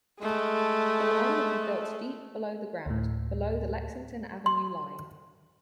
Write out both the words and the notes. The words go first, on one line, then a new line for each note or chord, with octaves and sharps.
The line would be built deep below the ground, below the Lexington Avenue Line.
G#3 A3
D2 A2
C6